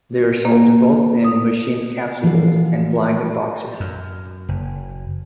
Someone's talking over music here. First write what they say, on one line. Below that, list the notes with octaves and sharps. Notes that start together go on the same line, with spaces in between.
They are sold both in machine capsules and blind boxes.
A#3
D#6
E3 F3 F#4 F5 F#5
F#2
F#1